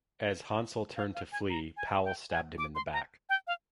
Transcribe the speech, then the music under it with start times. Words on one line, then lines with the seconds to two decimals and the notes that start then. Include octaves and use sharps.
As Hansell turned to flee, Powell stabbed him in the back.
0.96 F5
1.15 F5
1.32 G#5
1.50 A#5
1.77 G#5
2.05 G5
2.31 G#5
2.58 D6
2.75 C6
2.93 A#5
3.29 G5
3.47 F5